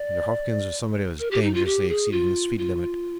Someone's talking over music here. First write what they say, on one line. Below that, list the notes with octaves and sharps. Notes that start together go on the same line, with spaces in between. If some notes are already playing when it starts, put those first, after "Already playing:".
Either Hopkins or somebody was dangerously exceeding the speed-limit.
Already playing: D5
A#4
G4
D#4
F4
G4
G#4
F4
F4